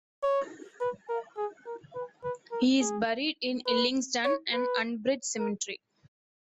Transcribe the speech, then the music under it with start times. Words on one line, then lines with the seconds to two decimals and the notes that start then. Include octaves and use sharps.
He is buried in Hillingdon and Uxbridge Cemetery.
0.23 C#5
0.80 B4
1.09 A#4
1.37 G#4
1.66 A#4
1.95 B4
2.24 B4
2.52 A#4
2.80 G#4
3.66 B4
4.25 C#5
4.53 B4
5.39 A#4